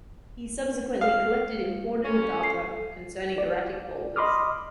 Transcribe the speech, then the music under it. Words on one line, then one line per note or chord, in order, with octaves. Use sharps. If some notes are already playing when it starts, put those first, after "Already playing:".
He subsequently collected important data concerning erratic boulders.
F5
A#2 C#4 A4
A4 C7
D5
D#5 B5 C6 D6 D#6 F6